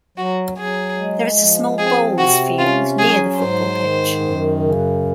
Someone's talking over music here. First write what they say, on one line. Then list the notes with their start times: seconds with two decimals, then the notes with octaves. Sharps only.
There is a small bowls field near the football pitch.
0.18 F#3 F#4
0.58 F#3 G#4
0.98 G#3
1.39 F3
1.78 C4 G#4
2.18 C3 F#4
2.58 C#4 F4
2.99 F#3 G#4
3.39 G#2 C5
3.79 D#3
4.20 F#2
4.59 C#3